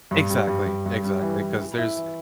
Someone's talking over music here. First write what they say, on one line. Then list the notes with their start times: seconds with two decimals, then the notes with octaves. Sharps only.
Exactly, exactly. 'Cause there's
0.11 G2
0.30 G3
0.48 G2
0.67 G2
0.86 G2
1.04 G3
1.22 E3
1.41 E3
1.59 E3
1.78 E4
1.97 E3